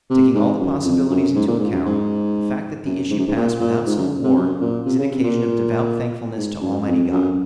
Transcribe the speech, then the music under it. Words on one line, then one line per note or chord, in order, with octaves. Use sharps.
Taking all the possibilities into account, the fact that the issue passed without civil war is an occasion of devout thankfulness to Almighty God.
C3
G#2
F#2
F2
F#2
G#2
A#2
G#2
F#2
G#2
F#2
G#2
F#2
G#2
A#2
A#2
G#2
F#2
C3
F#2
A#2
C3
C#3
C3
A#2
G#2
F#2
F2
F#2